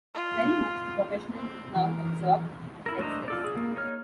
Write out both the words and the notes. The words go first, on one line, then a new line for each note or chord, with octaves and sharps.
Very much the professional now, absorbed, sexless.
F4
C4
E3 A#4
E4 A#4
A3 D4 C5 D#5 A#5
F4 A4 D5
G#4
A#3
D#4 C#5 F6